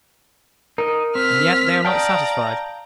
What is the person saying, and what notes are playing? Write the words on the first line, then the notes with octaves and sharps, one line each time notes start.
And yet they are not satisfied.
D#4 A#4 D#5
C4 F6 B6
D5 F5 G5 A5 A#5 D#6